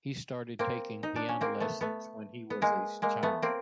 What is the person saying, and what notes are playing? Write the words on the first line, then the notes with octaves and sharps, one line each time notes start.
He started taking piano lessons when he was a child.
A#3 C4
D#4
D4
C#4
A#3 C4
A3 B3
A3 B3
B3
G#3 A#3
G#3 A#3
A3 B3
A#3 C4